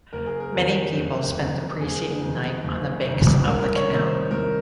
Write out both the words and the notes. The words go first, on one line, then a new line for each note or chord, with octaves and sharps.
Many people spent the preceding night on the banks of the canal.
F#1 A#4
G#4
A#4
F2 D#3
F#1
F2 D#3
F#1 G#4
F2 D#3
F#1
F2 D#3
C2 A#4
C#5
C3 D#3
C5
C2 A#4